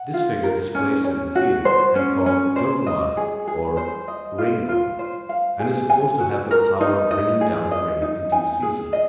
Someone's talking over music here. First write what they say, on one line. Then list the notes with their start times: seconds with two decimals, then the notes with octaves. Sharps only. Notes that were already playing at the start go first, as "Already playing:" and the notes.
This figure is placed in a field, and called Jokumara or rain-god, and is supposed to have the power of bringing down the rain in due season.
Already playing: F#5
0.14 F4
0.44 A#4
0.75 C#4
1.04 C#4
1.35 F#4
1.65 C5
1.95 C#4
2.26 C#4
2.56 C5
2.86 D#5
3.17 G#4
3.47 G#4
3.77 C5
4.08 D#5
4.38 F4
4.68 F4
4.99 C5
5.29 F5
5.59 G#4
5.90 G#5
6.20 F#4
6.51 A#4
6.81 D#4
7.11 D#5
7.41 G#4
7.71 D#5
8.02 D#4
8.32 G#5
8.62 G#4
8.93 D#5